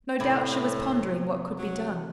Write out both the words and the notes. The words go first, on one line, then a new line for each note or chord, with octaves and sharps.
No doubt she was pondering what could be done.
A2 C3 E4 G#5
F#3